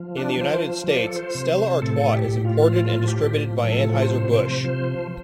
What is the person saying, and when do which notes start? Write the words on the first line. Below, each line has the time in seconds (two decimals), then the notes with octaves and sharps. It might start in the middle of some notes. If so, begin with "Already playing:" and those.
In the United States, Stella Artois is imported and distributed by Anheuser-Busch.
Already playing: F3
0.17 D4
0.40 F3 C5
0.88 F3 D5
0.97 C5
1.07 A4
1.16 C5
1.35 C3
1.82 A2 A4
2.13 G4
2.29 A2
2.45 F4
2.76 F3 F4
3.08 G4
3.23 A2
3.70 F3 A4
4.02 C5
4.17 C3
4.33 C5
4.64 F3 C5